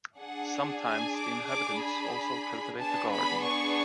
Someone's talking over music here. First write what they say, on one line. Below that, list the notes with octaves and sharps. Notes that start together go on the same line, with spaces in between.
Sometimes the inhabitants also cultivate a garden.
D4 G#4 F#5
G#5
D6
D6
B5
B3 D4 G#4 A5
B5
C#6